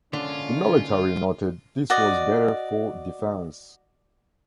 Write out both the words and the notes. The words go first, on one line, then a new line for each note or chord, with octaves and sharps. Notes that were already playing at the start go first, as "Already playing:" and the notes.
The military noted this was better for defense.
D3 G#3 A#3 C#4 F4
F#4 D5 D#5